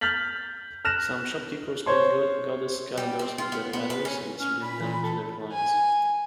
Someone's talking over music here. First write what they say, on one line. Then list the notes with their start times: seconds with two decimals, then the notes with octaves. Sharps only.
Some shopkeepers print goddess calendars with their address, and distribute them to their clients.
0.01 F6 G6 A6 B6 F#7
0.85 F6 F#6 A#6 E7
1.86 C5 C#5 C6
2.97 G3
3.19 C4
3.38 F4
3.52 B3
3.73 B3
3.90 B4
4.05 C#4
4.40 C#4 F6
4.62 A#2 B5
4.80 A#2 E3
5.03 A4
5.52 G#5